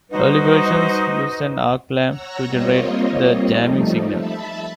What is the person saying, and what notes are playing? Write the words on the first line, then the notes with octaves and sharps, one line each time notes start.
Early versions used an arc lamp to generate the jamming signal.
G3 D#4 F#4 B4 C5
C#5 F#5 A#5 E6 A#6
G3 A#3 C4 F4 C#5 D#5
F3 G3 A3 D#4
E5 A5 B5